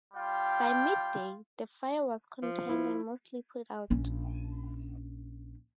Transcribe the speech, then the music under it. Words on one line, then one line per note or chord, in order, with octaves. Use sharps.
By mid-day, the fire was contained and mostly put out.
G3 F4 G5
F3
E4
A#1 C#4